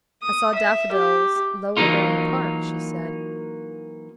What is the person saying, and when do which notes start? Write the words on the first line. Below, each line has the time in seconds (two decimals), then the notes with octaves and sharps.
"I saw daffodils lower down the park," she said.
0.22 D#6
0.55 E5
0.92 G4
1.77 E3 F#3 A#3 D#4 F4